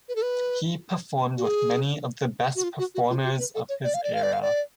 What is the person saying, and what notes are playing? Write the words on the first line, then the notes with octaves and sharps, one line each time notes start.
He performed with many of the best performers of his era.
B4
A4
B4
F#4
G#4
F#4
F4
F#4
F#4
F4
F#4
B4
A4
C#5
D5
F5
D5
F5
D5
F5
D5